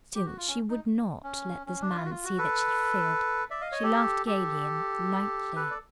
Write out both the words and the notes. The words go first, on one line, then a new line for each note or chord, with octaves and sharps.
Still she would not let this man see that she feared; she laughed gaily and lightly.
G4
F#4
F4
C#4
D#4
C#4
C#4
D4
F4
F#4
F4
F#4
A4 B4
D5 E5
D#5 F5
C#5 D#5
G4 A4
G4 A4
A4 B4
D5